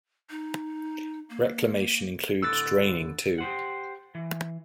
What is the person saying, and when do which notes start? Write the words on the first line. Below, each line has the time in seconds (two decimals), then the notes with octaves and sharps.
Reclamation includes draining, too.
0.30 D#4
1.30 A#3
2.42 A2 D3 E6 F#6 A6
3.38 G4 C5 F#5
4.15 E3